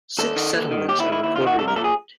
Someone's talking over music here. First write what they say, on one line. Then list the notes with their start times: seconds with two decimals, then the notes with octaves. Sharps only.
Six settlements are recorded in it.
0.18 D#2 A4
0.36 D#3
0.53 D#2
0.71 D#3
0.88 D#2 G4
1.00 E4
1.05 D#3
1.12 E4
1.23 D#2 E4
1.36 D#3 F4
1.47 F#4
1.58 C2 A4
1.68 A#4
1.76 A#2 A4
1.84 G#4